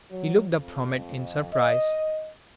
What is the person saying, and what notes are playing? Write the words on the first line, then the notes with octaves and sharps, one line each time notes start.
He looked up from it in surprise.
F#3
F2
D#5